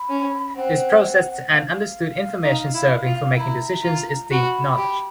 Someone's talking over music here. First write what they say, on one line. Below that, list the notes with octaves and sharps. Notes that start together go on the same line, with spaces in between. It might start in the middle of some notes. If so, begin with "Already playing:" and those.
This processed and understood information serving for making decisions is deemed knowledge.
Already playing: B5
C#4
C4 F#5
F5
D#4
E4
F4
E4 A#5 B5
F4
F#4 B5
G4